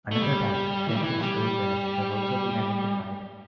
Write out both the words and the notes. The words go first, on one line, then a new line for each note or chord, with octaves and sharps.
Another type, Flintless Stoneware, has also been identified.
A3
G3
E3
G3
E3
G3